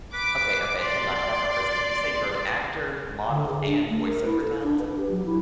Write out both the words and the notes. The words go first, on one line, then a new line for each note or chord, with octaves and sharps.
Okay, okay, hang on. Back up for a second. Did you say you're an actor, model, and voice over talent?
B4 D6
D5 C6
D3
G#4
D4
A3
A#4
E4
A4
D4
B4
G4
F#3
E4